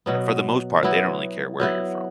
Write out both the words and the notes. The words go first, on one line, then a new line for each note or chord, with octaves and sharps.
for the most part, they don't really care where you're from.
B2 F#3 B3
F#3 B3 E4
F#3 B3 E4